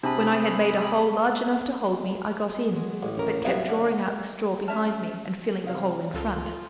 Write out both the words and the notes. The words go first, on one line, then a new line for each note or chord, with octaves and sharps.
When I had made a hole large enough to hold me, I got in, but kept drawing out the straw behind me, and filling the hole in front.
C3 D4 G#4 A5 B5
F#3 G#3
A1
F3 C#4 A#4
C2 F#2 B3 E5 F5
D3
C#4 E5 A5 F6
C3 D#4 F5
C#2 F4 A4